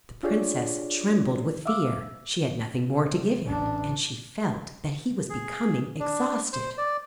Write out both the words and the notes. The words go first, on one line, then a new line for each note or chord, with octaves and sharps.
The princess trembled with fear; she had nothing more to give him, and she felt that he was becoming exhausted.
D4 F4 G4 G#4 C#5 D5
E5 F5 D6 E6
C3
A1 D4
G#4
D4
C5
D5